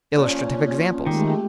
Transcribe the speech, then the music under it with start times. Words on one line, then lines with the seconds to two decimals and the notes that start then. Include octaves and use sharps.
Illustrative examples.
0.16 A#2 C#3 F3 C#4
1.06 D#3 G#3 A3 G4